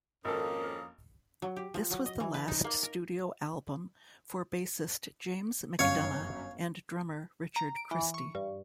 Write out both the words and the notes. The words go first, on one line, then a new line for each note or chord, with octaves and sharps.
This was the last studio album for bassist James MacDonough and drummer Richard Christy.
G#1 F2 A#3 C#4 A4 A#4 D#6
F#3
G4
F3
F#3
D#5
E3
B4
D#4
A#3
A#4
G1 F#2 C#5 F5
A#5
D7
E3
C#6
G2